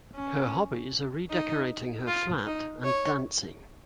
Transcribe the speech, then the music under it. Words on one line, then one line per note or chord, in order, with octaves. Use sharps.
Her hobbies are redecorating her flat and dancing.
C#4
D#4
F4
D#4
C#5